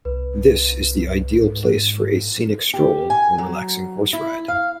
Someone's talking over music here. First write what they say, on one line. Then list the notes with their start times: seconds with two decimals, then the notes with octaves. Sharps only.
This is the ideal place for a scenic stroll or relaxing horse ride.
0.05 C2 B4
1.43 G#2
2.74 G4
3.10 G#5
3.38 F#3
4.13 E4
4.48 F5